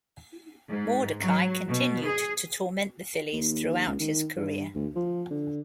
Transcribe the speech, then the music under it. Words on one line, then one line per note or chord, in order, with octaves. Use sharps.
Mordecai continued to torment the Phillies throughout his career.
G#2
F#3
B2
G#4
D#2
C#2
D#3
G2
D2
F3
D3